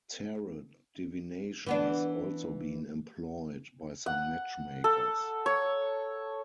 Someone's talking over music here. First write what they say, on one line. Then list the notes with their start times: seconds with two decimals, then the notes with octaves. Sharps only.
Tarot divination has also been employed by some matchmakers.
1.67 E3 B3 D4
4.06 F#5
4.84 A4
5.46 C#5